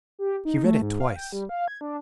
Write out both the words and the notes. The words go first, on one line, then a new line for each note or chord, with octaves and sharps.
He read it twice.
G4
D#4
A3
G#2
F5
G5
G3
F5
G#6
D4